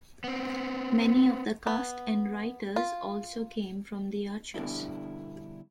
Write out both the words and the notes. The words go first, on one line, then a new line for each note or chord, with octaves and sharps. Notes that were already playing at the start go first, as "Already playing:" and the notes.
Many of the cast and writers also came from "The Archers".
B3 C4
B3
F4
G2 B2 D3 D4 E4